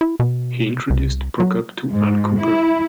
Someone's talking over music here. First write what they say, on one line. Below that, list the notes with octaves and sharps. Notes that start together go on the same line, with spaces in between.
He introduced Prokop to Al Kooper.
E4
B2
C2
F#3
G#2
E4